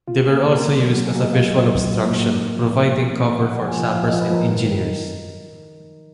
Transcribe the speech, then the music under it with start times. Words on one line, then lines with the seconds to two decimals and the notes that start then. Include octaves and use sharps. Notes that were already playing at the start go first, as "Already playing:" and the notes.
They were also used as a visual obstruction, providing cover for sappers and engineers.
0.08 F4
0.19 F#4
0.28 A#3 G#4
0.46 A#2
0.54 A#4
0.63 F#3
0.80 F#3 F#4
0.94 F#4
0.98 A#3
1.07 G#4
1.15 A#3
1.20 D#5
1.32 F#3 F5
1.50 A#2
1.67 F#3
1.86 A#2
2.03 A#2
2.20 A#3
2.37 D#4
2.56 F3
2.73 G#2
2.89 G#2
3.07 A#3
3.24 D#4
3.42 D#4 F#5
3.60 F3
3.68 G#5
3.77 F3
3.95 F3 F5
4.07 D#5
4.12 F3
4.22 B4
4.30 F3 A#4
4.47 D#3
4.65 D#3
4.83 D#4